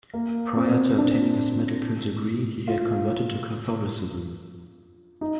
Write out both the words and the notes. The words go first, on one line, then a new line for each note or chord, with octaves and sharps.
Prior to obtaining his medical degree, he had converted to Catholicism.
A#3
C4
D4
F4
D#4